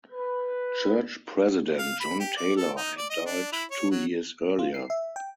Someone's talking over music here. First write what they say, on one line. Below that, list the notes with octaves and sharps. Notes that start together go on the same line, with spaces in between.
Church president John Taylor had died two years earlier.
B4
F5
B5
G4
D5
A4
D#4
D5
D#5
D4
E4
C#5
F#3
F4
C7
E5
G5